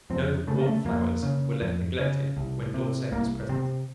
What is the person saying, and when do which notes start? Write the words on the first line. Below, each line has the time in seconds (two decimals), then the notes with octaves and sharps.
No "wallflowers" were left neglected when D'Orsay was present.
0.10 F2 C4
0.47 C#3 A3
0.61 A#3
0.66 A3
0.85 F2 A#3
1.23 C#3
1.62 F2
1.99 C#3
2.37 C2
2.74 C3
3.12 C2 A#3
3.49 C3 C4